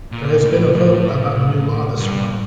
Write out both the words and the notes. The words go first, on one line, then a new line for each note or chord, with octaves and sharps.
There has been a vote about a new law this morning.
A#2
A2
A2
G2